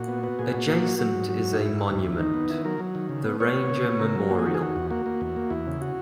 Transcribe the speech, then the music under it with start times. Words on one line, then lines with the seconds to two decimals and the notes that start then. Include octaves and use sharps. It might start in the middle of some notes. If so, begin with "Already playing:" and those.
Adjacent is a monument, the Ranger Memorial.
Already playing: A#2 F#4
0.08 B3
0.23 B3
0.39 A#2 G#4
0.53 A#2 F#4
0.68 A#3
0.84 F#3
0.99 F#3 F#4
1.14 G#2
1.30 F#3
1.44 G#2
1.53 D#4
1.59 G#2 E4
1.74 G#2
1.89 D#2
2.04 D#2
2.19 D#3 D#4
2.34 B3
2.50 D#3 E4
2.65 F#3 A#4
2.79 F#3
2.95 D#3
3.09 C#3
3.25 B3
3.40 B3 C#5
3.55 B3
3.70 C#3
3.86 B3
4.00 C#3 A#4
4.15 F#3
4.31 A#3 F#4
4.39 G#4
4.46 D#3 F#4
4.55 G#4
4.61 D#3 F#4
4.76 E2
4.90 A#3 F#4
5.06 A#3
5.21 E2
5.36 A#3
5.50 E2 E4
5.67 C#3
5.81 F#4